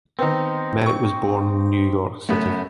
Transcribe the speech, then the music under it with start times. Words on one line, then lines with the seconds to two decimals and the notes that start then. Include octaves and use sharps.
Merritt was born in New York City.
0.19 D#3 B3 C4 D#4
0.86 C#6
2.29 F#1 F#2 A3 B3